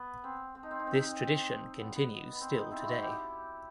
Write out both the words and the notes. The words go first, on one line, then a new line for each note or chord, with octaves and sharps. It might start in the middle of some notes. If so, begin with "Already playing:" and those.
This tradition continues still today.
Already playing: B3
C4
C4
D#4
C4
D#4
C4
D#4
C4
B3
B3
B3
C4
B3 D#4
C4 E4
D#4 E4 F#4
E4 G4